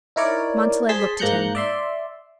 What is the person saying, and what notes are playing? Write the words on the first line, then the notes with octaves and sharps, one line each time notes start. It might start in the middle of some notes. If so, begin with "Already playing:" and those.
Montalais looked at him.
D#4 E4 A#4 C#5 D5
G#4 C5 A5 C6 B6
G#2 A#3 A#5 F#6 G6 C#7
D5 E5 C6